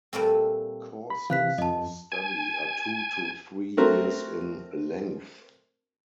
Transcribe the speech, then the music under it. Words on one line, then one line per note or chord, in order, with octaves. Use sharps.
Courses of study are two to three years in length.
A#2 G3 A3 C4
B5
C3 E3 F5 F#6 B6
F2 D#5 A5
G#5
A3 C4 F#4 A#4